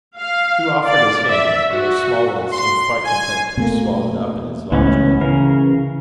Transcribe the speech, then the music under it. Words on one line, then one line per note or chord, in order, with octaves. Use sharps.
Hugh offered his hand; and her small one seemed quite content to be swallowed up in his large one.
F5
D5
E5
F#4
C6
G#5
B2 A3 A#3
C#2 A2 E3 B3 C#4
C#3 E3 A#4